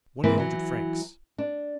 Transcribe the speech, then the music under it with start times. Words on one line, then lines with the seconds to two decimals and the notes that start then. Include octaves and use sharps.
"One hundred francs!"
0.23 G#2 E3 A#3 C4 E4 B4
0.38 E3 F#3
1.38 D4